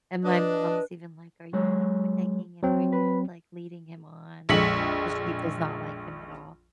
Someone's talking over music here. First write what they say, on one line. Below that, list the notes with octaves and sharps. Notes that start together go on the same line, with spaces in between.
and my mom is even like, "Are you, like, m egging him are you, like, leading him on? Like to" 'cause she does not like him at all.
D4 B4 D#5
F#3 G#3 C#5
F#3 C4
B4
A#1 F2 G#3 B6 C#7 F#7